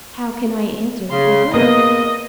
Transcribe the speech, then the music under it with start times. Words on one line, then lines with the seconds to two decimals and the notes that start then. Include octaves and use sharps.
How can I answer for her?
1.10 C#3 C6
1.54 A#3 B3 D#5 D#6